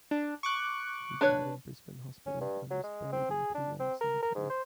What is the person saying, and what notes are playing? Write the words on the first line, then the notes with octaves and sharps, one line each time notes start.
He died in Brisbane Hospital and was buried in Toowong Cemetery.
D4
C#6 D6 F#6
D4 B4 C#5
C#4
G2
F#3
G#3
C4
G#4
D4
C4
A#4
A#4
G#2
C5